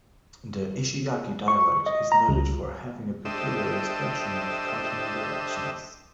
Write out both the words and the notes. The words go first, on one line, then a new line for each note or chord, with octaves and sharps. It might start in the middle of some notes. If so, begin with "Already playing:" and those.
The Ishigaki dialect is noted for having a peculiar expression of cardinal directions.
C#6
D#5
A#5
C#2
D4 G4 A4 C5 D#5 E5